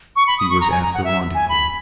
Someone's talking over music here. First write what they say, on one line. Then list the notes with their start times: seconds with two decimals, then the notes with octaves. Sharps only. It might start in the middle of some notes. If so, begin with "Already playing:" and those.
He was at the rendezvous.
0.16 C#6
0.27 B5
0.38 D#6
0.50 C#6
0.61 A#5
0.71 G#5
0.82 A#5
0.94 F#5
1.04 E5
1.34 G#5
1.49 B5